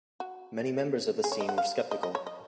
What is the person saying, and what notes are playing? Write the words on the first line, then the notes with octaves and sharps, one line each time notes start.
Many members of the scene were skeptical.
F#4
G#4
C#5
D#5
F#5
F5
D#5
D#5
C#5
D#5